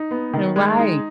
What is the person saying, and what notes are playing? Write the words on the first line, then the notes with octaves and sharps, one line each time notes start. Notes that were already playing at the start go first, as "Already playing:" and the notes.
You're right.
Already playing: D#4
B3
D#3
G#3
D#4